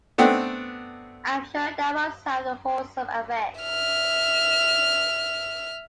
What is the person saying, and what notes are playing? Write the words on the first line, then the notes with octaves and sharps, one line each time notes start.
I’m sure that must have a wholesome effect.
A3 B3 C4 D4
E5 F6